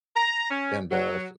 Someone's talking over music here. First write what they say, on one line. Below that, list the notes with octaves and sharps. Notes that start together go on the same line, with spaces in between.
and, uh, f
A#5
C#4
F#3